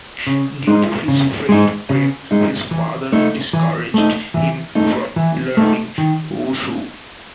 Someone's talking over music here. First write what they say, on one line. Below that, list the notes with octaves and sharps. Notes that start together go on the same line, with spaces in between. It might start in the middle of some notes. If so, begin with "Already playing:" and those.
Due to his frail frame, his father discouraged him from learning wushu.
C#3
G#3 D#4
C#3
G#3 D#4
C#3
G#3 D#4
E3
A3 D#4
E3
A3 D#4
E3
A3 D#4
E3
A3 D#4
D#3